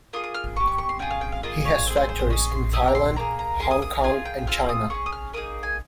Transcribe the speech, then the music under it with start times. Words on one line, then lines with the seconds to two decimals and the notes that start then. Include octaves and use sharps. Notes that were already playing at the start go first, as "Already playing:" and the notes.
He has factories in Thailand, Hong Kong and China.
0.13 A#3 F4 G#4 D#6
0.24 D#6
0.34 F6
0.56 C#4 G4 C#6
0.67 C#6
0.78 C#6
0.89 C6
0.99 C#4 F4 G#4 G5
1.11 F5
1.21 G5
1.32 F5
1.43 A#3 F4 G#4 D#5
1.65 C#5
1.87 C4 F4 G#4 C5
1.97 C5
2.09 C5
2.19 C5
2.30 C#4 G#4 D#5
2.51 C6
2.73 C4 G4 D#6
2.88 A#5
2.95 C6
3.16 A#3 F4 G#4 A#5
3.39 A#5
3.60 A#3 F4 G#4 C6
3.71 D#6
3.82 D#6
3.93 F6
4.04 A#3 F4 G#4 G#5
4.25 G5
4.47 C4 F4 G#4 F6
4.69 D#6
4.90 C#4 G#4 C#6
5.06 D#6
5.12 F6
5.33 A#3 D#4 G#4 D#6
5.63 G#5